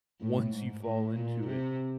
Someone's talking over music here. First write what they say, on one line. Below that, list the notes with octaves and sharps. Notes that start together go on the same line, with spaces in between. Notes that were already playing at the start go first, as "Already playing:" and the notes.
once you fall into it,
A2
G#2
A2
A#2
C3